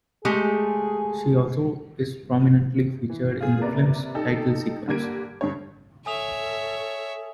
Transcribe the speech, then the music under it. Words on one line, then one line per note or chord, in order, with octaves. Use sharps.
She also is prominently featured in the film's title sequence.
G#3 A3 G4 G#4
E3
F4 G#4
C3 A#3 B4 D5 A#5
D#4 G4 A4
D3 G3 A#3 G#6 D7
G2 D3 C#5
A4 C#5 E5 G#5 D#6 F7